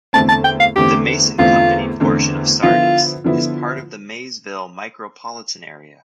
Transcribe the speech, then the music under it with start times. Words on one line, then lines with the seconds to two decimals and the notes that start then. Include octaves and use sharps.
The Mason Company portion of Sardis is part of the Maysville micropolitan area.
0.13 E2 D3 A3 C4 A5
0.29 A5
0.44 G5
0.60 F5
0.76 E2 D3 A3 C4 G4
1.39 E2 D3 A3 C4 F4
2.00 E2 D3 A3 C4
2.62 D3 F3 B3 E4 F4
3.24 D3 F3 B3 E4